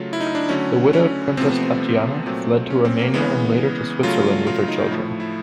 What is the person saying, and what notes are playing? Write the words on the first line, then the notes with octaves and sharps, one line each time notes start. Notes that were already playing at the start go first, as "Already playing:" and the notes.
The widowed Princess Tatiana fled to Romania and later to Switzerland with her children.
Already playing: C#3 F#3 A3 F4
E4
D#4
D4
D3 F#3 A3 C#4
C#4
C3 F3 A3 C4
B3
C4
A#2 F#3 A3 C4
C#4
C4
A#3
C#3 E3 G#3 B3
C#3 F#3 A3 F4
F4
D#4
A2 F3 A3 E4
E4